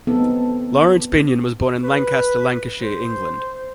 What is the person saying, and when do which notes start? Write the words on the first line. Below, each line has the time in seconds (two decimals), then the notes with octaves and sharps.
Laurence Binyon was born in Lancaster, Lancashire, England.
0.07 B3 C4 D#4 A4
1.84 B4
2.82 C5